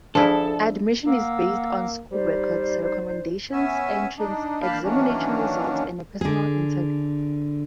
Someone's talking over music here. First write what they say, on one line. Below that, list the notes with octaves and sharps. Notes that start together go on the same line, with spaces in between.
Admission is based on school records, recommendations, entrance examination results, and a personal interview.
F3 D4 E4 G#4 A4
A#3 F#5 E6
G3 D#4 C5 D5
B3 C#4 E5 G#5
D4 D#4
A#3 D4 F5 A5 B5 G6
D#3 E3 F#3 A#3 C#4 D4
D3 G#4